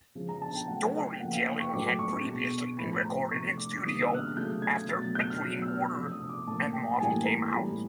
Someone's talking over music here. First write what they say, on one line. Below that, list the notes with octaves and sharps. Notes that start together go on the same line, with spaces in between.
"Storytelling" had previously been recorded in studio after Between Order And Model came out.
C#3 F3 G#3
A#5
A5
G5
C#3 F#3 A3 F#5
G5
C#3 F3 A#3 F#5
F5
G5
C#6
A2 F#3 A3 D6
C#6
B2 G#3
A2 F3 A3 B5
A#5
C3 F3 A3 C#6
D6
C3 D#3 G3 A#3 D#6
E6
F#6
F6
C#3 F#3 A3 G6
G#6
B2 F#3 A3 A6
G6
F6
B2 F#3 A3 F#6
E6
F6
C3 F3 A3 E6
E6
D#6
D6
A2 F3 A#3 A5
G5
A5
A2 E3 G3 A#3 G#5
A#5
A2 E3 G3 B5